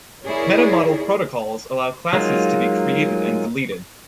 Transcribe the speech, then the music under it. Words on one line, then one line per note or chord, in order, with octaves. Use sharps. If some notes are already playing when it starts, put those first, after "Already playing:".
Meta-model protocols allow classes to be created and deleted.
E4 G#4 A#4 C#5 D5
F#3 G#3 A#3 D#4 F4